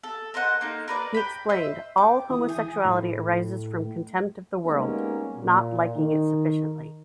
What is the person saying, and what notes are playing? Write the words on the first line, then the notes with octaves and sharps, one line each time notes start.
He explained: All homosexuality arises from contempt of the world, not liking it sufficiently.
A4
A#4 C5 D#5 F#5
A#3 D#4 A4
A#4 B4 D5
G5 B5
C5 D#5 E5
G5 D6
E3 E4 D#6
G#4 G5 G#5
A2
G3 G#3 A#3 B3 C#4 D#4
A#2
D#3